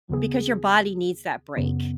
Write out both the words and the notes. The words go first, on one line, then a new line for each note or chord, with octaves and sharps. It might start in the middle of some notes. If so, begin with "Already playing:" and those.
because your body needs that break,
D#2 C#3 B3 G#4
F#2 C#3 B3